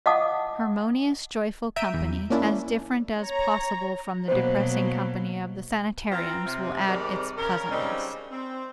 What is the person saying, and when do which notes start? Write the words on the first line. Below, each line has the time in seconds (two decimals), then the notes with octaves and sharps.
Harmonious joyful company, as different as possible from the depressing company of the sanitariums, will add its pleasantness.
0.06 D#5 F5 F#5 A5 D6 D#6
1.77 E5 A#5 G6 D7 D#7
1.94 E2
2.30 A#3 C#4 D4 E4
3.21 C#5 A#5
4.28 B2 F#3 A#3 C5
6.11 C4 F4 B4 F5 A#5
6.45 C3
6.87 G#2 C3 D#3 G3 A#4 D5
7.36 C#3 A#4
7.70 C#3 G3 G#3 C4 D4 D#4
8.31 C4